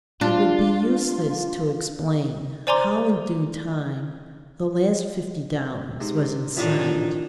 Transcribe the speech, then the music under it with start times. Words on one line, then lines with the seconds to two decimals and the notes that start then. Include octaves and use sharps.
It would be useless to explain how in due time the last fifty dollars was in sight.
0.21 D4 F4
2.67 C5 D5 G#5 A#5 C6 D6
6.01 G#2 C3
6.56 A1 A2 D#3 F3 D4 D#4 E5